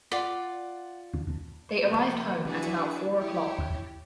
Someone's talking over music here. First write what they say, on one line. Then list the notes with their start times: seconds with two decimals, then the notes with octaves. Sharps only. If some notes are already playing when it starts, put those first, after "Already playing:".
They arrived home at about four o’clock.
0.12 F4 D5 F#5
1.84 F2 C3 A#3 B3
2.46 D4 E4 F#4 G#4 B4
3.17 E4 G4 C#5